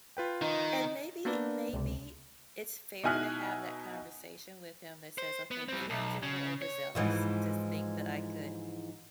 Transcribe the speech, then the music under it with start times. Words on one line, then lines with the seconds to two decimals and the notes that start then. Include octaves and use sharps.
And maybe maybe it's fair to have that conversation with him that says, "Okay, maybe I was a little overzealous to think that I could
0.17 F4 B4 G5
0.42 D#3 D#4
1.25 A#3 B3 D4 A#4 B4 D5
1.73 C#2 C3
3.03 B2 D#4 E4 G#5 F6 F#6
5.18 C5
5.51 B3
5.68 G3 C4
5.90 B1
6.23 C#3
6.62 C#5
6.95 G#2 E3 F3